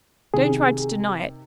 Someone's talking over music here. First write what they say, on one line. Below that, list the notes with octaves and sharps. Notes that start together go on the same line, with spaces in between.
Don't try to deny it.
C3 D#3 G#4